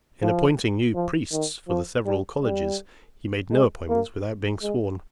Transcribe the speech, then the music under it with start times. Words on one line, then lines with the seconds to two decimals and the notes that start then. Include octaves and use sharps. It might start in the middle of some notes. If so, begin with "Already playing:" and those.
In appointing new priests for the several colleges, he made no appointments without being sworn.
0.22 F3
0.95 F3
1.32 D#3
1.69 F3
2.06 G3
2.42 G3
3.52 G#3
3.89 A#3
4.62 G#3